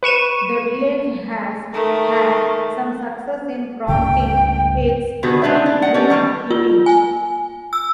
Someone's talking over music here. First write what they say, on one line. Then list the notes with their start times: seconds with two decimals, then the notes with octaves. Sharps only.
The village has had some success in promoting its "in bloom" image.
0.03 B4 C#6 D#7 E7
1.73 D#3 A3
3.88 C#2 G2 C#3 G5
5.23 D3 D#3 B3 F#4 G#4 B4
5.42 G#3 D4 B4 C5 E5
5.66 D4
5.82 D#5 F#5
5.94 C#4 G4 A4 A#4 D5
6.10 D#3 G3 A#3 G4
6.51 F4
6.86 G#5
7.73 E6